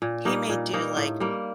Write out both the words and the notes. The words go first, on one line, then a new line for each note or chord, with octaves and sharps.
he may do, like,
A#2
G3 A#3 D#4
A#2
G3 A#3 D#4
A2
G3 A#3